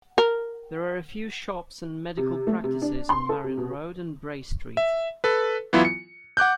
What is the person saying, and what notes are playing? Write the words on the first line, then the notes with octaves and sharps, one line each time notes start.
There are a few shops and medical practices on Marion Road and Bray Street.
A#4
C3
A3
C3
D4
C6
A4
C3
B2
E5
A4 B4
E3 F#3 B3 E4 F4
C#7
F#5 D6 F#6 G6